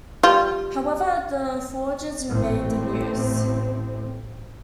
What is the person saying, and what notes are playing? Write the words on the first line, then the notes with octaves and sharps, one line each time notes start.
However the forges remained in use.
G3 F4
A1 A2 C4